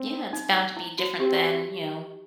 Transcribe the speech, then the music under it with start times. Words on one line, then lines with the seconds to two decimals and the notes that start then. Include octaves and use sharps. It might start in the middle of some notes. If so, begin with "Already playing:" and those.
Yeah, it's bound to be different than, you know,
Already playing: C4
0.33 D#4
0.77 E4
0.99 F#4
1.19 C4 G4